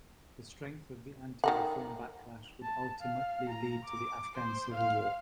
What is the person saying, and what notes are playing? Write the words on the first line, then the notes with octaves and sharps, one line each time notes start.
The strength of the anti-reform backlash would ultimately lead to the Afghan civil war.
D#3 A#4 F#5
A5
F5
A#5
D6
C5
F5